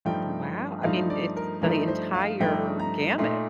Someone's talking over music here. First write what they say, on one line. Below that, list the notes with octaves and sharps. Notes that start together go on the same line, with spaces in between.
Wow. I mean, it's the entire gamut.
G2 F3 A3 D#4 G5
G2 F3 A3 D#4 F5
D5
A#4
G2 F3 A3 D#4 A#4
C5
F5
G2 F3 A3 D#4 G5
A#5
A#2 A3 D#4 C6